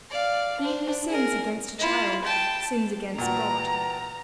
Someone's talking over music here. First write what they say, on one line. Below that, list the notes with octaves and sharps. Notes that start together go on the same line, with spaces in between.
He who sins against a child, sins against God.
D5 F5
D4 C5
G#4 A#4
E4 F4
G5 A5
A#2 E3 F#4 G5 A5 A#5